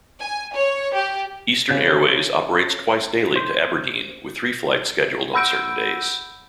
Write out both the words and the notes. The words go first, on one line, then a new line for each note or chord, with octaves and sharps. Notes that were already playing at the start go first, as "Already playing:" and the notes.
Eastern Airways operates twice daily to Aberdeen with three flights scheduled on certain days.
G#5
C#5
G4
C#3
C5
F#5 B5 E6 G6 D7